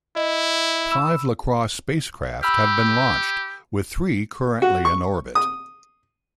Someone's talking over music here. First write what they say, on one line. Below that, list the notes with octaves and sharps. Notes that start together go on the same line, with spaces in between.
Five Lacrosse spacecraft have been launched, with three currently in orbit.
E4 D#5
B5 E6 E7
G4 B5 E6 F6
F#4
C#6
D#6